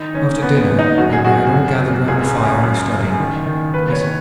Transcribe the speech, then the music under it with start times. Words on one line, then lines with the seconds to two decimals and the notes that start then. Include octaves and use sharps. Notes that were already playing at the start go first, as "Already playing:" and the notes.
After dinner, when we had all gathered round the fire in the study--Mrs.
Already playing: D#3 D#4
0.14 D#3 C#4
0.42 C#3 B3
0.61 B3
0.69 D#2
0.79 D#4
0.98 F#2 F#4
1.13 G#4
1.25 F#2 F#4
1.53 F#2
1.80 F#2
2.08 C#2 G#4
2.36 C#3
2.63 F#2
2.91 C#3
3.19 D#3
3.46 D#3
3.74 D#2 B4
3.92 C#5
4.02 D#3